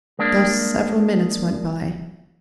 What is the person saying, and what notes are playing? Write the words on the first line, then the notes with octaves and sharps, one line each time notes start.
Thus several minutes went by.
G#3 A#3 D4